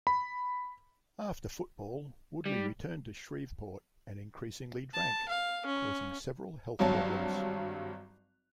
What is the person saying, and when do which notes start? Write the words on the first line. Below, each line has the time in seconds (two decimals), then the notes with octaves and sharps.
After football, Woodley returned to Shreveport and increasingly drank, causing several health problems.
0.07 B5
2.46 G3
4.93 A5
5.29 F5
5.66 C#4
6.79 G#1 G2 F#3 A5